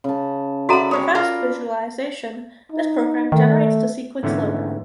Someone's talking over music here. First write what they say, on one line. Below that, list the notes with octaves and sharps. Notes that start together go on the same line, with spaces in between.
For fast visualization, this program generates the sequence logo.
C#3 A5
F#4 A4 B4 D5 E5 F#5 A#5
G3 G#3 C#5 D5
F4 A#4 F5
D#4
D#3 A3
G#2 D3 E3 A3 B3 C#4